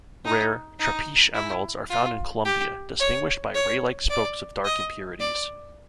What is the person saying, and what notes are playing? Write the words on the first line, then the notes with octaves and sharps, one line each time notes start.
Rare "trapiche" emeralds are found in Colombia, distinguished by ray-like spokes of dark impurities.
D#4
D#4
E4
F4
G4
C#5
C#5
D5
D#5
D5